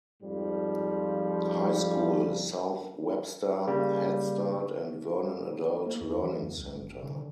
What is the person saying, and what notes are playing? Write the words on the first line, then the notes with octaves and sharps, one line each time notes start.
High School, South Webster Headstart, and Vernon Adult Learning Center.
F2 G#2 F3 G3
C#3 G3 A#3
A#3
E2
E3
E2
C2
G1
F#1
C#3
D3